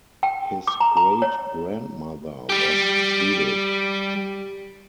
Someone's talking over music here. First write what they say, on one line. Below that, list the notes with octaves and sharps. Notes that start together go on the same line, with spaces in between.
His great-grandmother was Swedish.
G5
D6
A#5
A#5
C#5
G3 G4